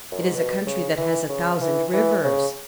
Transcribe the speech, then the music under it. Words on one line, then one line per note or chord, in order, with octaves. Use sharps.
It is a country that has a thousand rivers.
F#2
G#2
B2
C#3
E3
C#3
E3
E3
C#3